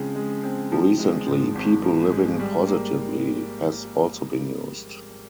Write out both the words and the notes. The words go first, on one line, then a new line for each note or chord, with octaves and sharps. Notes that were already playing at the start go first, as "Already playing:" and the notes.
Recently, "People Living Positively" has also been used.
Already playing: C#3 F3 G#3 C4
G#3
C4
F3
G#3
G#2
G#1
F3
G#3
G3
A#3